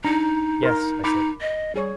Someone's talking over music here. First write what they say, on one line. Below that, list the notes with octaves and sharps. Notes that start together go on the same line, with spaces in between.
"Yes," I said.
D4 D#4 A#5
A#4 C6
D#4 B5 D6
D#5
G3 G#4 C#5